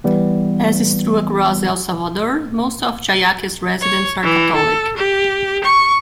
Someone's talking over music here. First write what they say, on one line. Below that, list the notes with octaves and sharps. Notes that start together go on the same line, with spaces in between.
As is true across El Salvador, most of Jayaque's residents are Catholic.
E3 G3 B3
C#5
E3
A4
G4
C#6